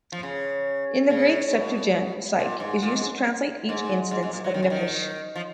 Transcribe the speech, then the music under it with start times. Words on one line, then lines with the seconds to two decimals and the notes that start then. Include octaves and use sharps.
In the Greek Septuagent psyche is used to translate each instance of nephesh.
0.12 F3
0.23 C#3
1.10 C#3
1.53 B2
2.40 A#2
2.60 G#2
2.83 A#2
2.96 G#2
3.69 G#2
4.11 G#2
4.23 G#2
4.33 A#2
4.44 F#3
4.54 D#3
4.63 C#3
4.70 D#3
5.36 F3